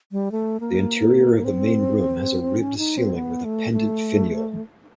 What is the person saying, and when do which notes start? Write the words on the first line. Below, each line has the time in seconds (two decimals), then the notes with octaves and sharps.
The interior of the main room has a ribbed ceiling with a pendant finial.
0.12 G3
0.32 A3
0.60 A#3
1.45 C4
2.59 C#4
2.78 D#4
2.98 C4
3.16 B3
3.44 A3
3.73 A3